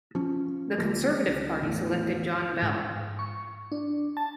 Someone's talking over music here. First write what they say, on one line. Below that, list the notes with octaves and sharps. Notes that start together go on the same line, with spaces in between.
The Conservative Party selected John Bell.
F3 C#4
D2 F3 A#3
C#2
G#1 E2 A2
G#2
C#6
D4
A5